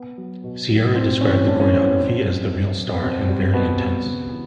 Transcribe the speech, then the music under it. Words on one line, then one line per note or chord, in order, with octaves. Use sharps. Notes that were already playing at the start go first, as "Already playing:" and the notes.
Ciara described the choreography as "the real star" and "very intense".
Already playing: B3
F#3
B2
F#3
A2 C4
E3 C#4
G3
A2 D4
C#4
E3 G3 C4
B3
B2 C4
F#3
B2
F#3
B3
B2 C4
G3
B2 B3
G3
C#3
E3